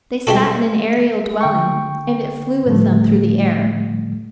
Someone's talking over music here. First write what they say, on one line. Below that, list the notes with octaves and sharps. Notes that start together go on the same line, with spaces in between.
They sat in an aerial dwelling, and it flew with them through the air.
G3 G#3 D4 F#4 A4
D3 G5 C#6
A2 D3 F3 G3 A3